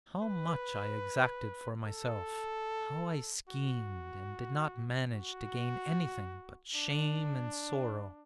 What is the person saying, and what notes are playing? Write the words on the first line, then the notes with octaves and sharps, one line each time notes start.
'How much I exacted for myself; how I schemed and did not manage to gain anything but shame and sorrow!
B4
A4
F#4
F#4
D4